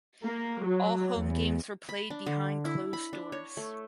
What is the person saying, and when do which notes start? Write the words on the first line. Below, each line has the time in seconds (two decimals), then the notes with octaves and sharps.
All home games were played behind closed doors.
0.24 A#3
0.64 F#3
1.15 E2
1.89 B5
2.10 D4
2.26 D3
2.65 E4
2.93 B5
3.13 D4
3.32 C#5
3.57 A3